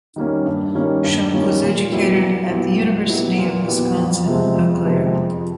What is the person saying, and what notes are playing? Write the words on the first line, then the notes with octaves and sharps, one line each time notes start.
Schunk was educated at the University of Wisconsin-Eau Claire.
D#3 G3 A#3 C#4
G2
D#3 G3 A#3 C#4
G2
D#3 G3 A#3 C#4
A#2
F#3 B3 E4 G4
A#2
F#3 B3 E4 G4
A#2
F#3 B3 E4 G4
A#2
F#3 B3 E4 G4
F2
C3 F3 G#3 C4
F2
C3 F3 G#3 C4
F2